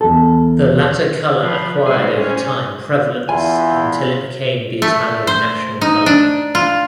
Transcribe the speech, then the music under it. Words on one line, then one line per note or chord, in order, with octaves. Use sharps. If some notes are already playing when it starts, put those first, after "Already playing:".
The latter color acquired over time prevalence until it became the Italian national color.
E2 A4
F3 B4
G3 G#3 G#4 C5
C#4
E2 E4 F4 G#5
A3
C5
D#4
D4
F4